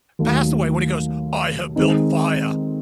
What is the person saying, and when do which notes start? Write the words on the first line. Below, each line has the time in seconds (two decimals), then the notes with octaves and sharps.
passed away when he goes, "I have built fire."
0.19 D#2 D#3 F#3 A3
1.76 D#3 G#3 C4 D#4